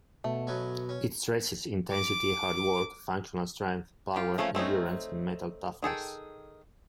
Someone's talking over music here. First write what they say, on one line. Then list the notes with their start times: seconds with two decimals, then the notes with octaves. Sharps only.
It stresses intensity, hard work, functional strength, power, endurance and mental toughness.
0.24 B2 A3
0.47 F#3 B3 C#4
0.89 C#4
1.92 D6
4.16 F4 G4
4.38 F3 A3 A#3 C#4 F4
4.55 A3 C4 C#4 D#4
5.82 D#3 G#4 A4 G5